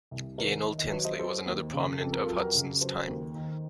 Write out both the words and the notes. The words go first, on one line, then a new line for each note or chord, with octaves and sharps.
Gaynell Tinsley was another prominent of Hutson's time.
C2
D#3 A#4 C#5
D#3
D#5
F#3 C#5
C5 D#5
F#3 A4 C5
D#2
C#3
F2 A4
A#4
F#3 F4 A4
F#4 A#4
C#3
F#3 A4 C5
D#2
D#3